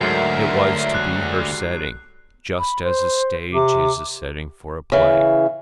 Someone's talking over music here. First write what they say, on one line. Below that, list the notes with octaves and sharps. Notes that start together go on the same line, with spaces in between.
It was to be her setting, just as a stage is the setting for a play.
D2 G#2 D3 F#3 A#4 E5 C7
G3 F#6
B5
C5
C3 D6
C#3 E3